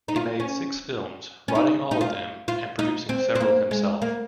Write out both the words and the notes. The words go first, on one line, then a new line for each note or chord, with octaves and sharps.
He made six films, writing all of them and producing several himself.
D#4
F4
C#4
C#4
D#4
D#4
F4
F4
D#4
C4
C4
A#3
G#3
A#3